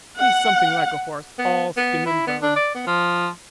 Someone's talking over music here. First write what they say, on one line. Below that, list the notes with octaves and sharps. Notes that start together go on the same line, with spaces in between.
He's something like a horse--all skin and bone.
F#5
B3
B3
E4
B3
D4
D5
B3
F3